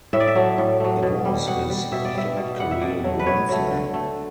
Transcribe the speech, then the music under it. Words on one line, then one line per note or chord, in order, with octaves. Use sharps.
It was his third career grand slam.
A2 E5
D5
E5
F#3 A3
A2
F#3 A3
B2
G3
B2 F#5
G3
B2 E5
D5
G3 E5
B2
G3 F#5
E5
B2 D5
F#3 A3
B4
B2 C#5
F#3 A3
D3
A3